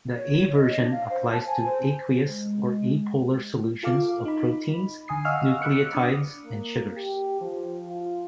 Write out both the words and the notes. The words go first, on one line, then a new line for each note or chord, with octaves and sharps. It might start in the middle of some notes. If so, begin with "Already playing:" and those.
The A-version applies to aqueous or apolar solutions of proteins, nucleotides, and sugars.
C#5
D#5
D4
F5
C5
A5
G#5
C5
G#3
F4 A4 F5 D6
D#4 B5
D3 G#5 D#6 C7
D#5 F5 F#5 C#6 E6 F6
B5 D6 E6 F#6 C#7
D4 D6 D#6
A#3
G4
F3
F4